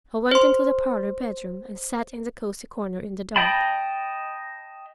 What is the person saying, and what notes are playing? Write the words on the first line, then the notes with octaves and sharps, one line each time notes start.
I went into the parlor bedroom and sat in the cozy corner in the dark.
C5 C6
D#5 G5 A5 B5